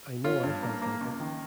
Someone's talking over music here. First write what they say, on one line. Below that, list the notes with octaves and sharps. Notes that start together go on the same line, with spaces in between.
I know I felt like it.
C#4 F4
G2
A#3
A#3
C#2
D#3